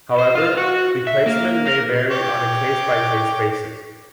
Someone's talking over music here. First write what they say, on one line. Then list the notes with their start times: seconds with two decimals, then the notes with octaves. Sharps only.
However, the placement may vary on a case by case basis.
0.19 C5
0.35 F4
0.57 F#4
1.07 E5
1.26 A#3
1.66 A#4
2.11 C#5 G5 D6